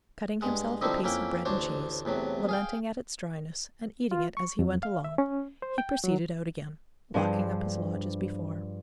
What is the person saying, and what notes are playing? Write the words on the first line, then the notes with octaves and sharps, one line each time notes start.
Cutting himself a piece of bread and cheese, lamenting at its dryness, and eating it as he went along, he proceeded out again, locking up his lodge as before.
G2 G#3 F#5
D3 F3 G3 C4 D#4 E4
F2 A#3 C#4 E4 G5
A1 D2 D4 F#4 C5 C#5
E2 A2 C3 F#3
G#4 F5 G5
F4
C#6
F2
F5
E5
C#4
C5
G5
F#3
G2 F3 D4 G#4 C5